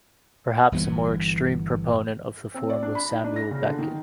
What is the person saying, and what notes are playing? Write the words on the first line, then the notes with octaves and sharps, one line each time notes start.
Perhaps a more extreme proponent of the form was Samuel Beckett.
G1 E3 B3
C4
D5
D4
B5
D#4
D4
A#6
C#3
D3
D#3